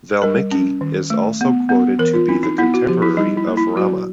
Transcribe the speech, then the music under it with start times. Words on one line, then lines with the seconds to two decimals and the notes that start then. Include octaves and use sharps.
Valmiki is also quoted to be the contemporary of Rama.
0.22 G3 A#4
0.51 C#4
0.81 D#3
1.10 A3
1.41 B3
1.69 B3
1.99 E3 A#4
2.14 F4
2.29 C4 E4
2.43 D#4
2.58 B3 E4
2.74 F#4
2.88 F3 G4
3.02 E4
3.17 G3 D#4
3.37 E4
3.47 A#3
3.57 E4
3.76 F#3 F#4